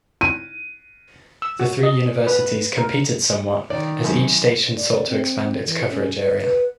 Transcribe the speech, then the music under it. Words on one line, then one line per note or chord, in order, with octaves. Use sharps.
The three universities competed somewhat as each station sought to expand its coverage area.
D#7
E6
F#4
D#5
B4
A#4
D#3 D5
F#2
D5
C4
E3
C#4
B4
B4